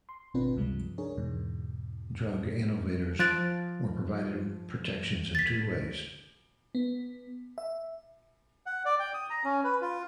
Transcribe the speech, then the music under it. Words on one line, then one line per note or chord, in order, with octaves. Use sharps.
Drug innovators were provided protections in two ways.
C6
G#1 B2 C4 D4 F4 B4
C#2 G2 C3 F3 G#3
D4 G#4 A#4 C#5
E2 G#2 B2
F3 F#6 A6 D7
A6 B6
B3
E5
F#5
D5
G5
D#6
A#5
C#4
B4
F4